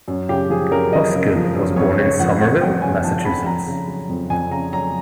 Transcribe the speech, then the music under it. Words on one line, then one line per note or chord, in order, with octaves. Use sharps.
Osgood was born in Somerville, Massachusetts.
F#2
C#3 G4
F3 G#4
F#2 A#4
F#2 D#5
C#3
F3
F#2
F2 C#5
C#3 C#5
F3 F#5
F2 F#5
F2 G5
C#3 G#5
F3 A5
F2 B5
F2 A#5
C#3
F#3
F2
F2 G#5
C#3 A#5
F#3 A#5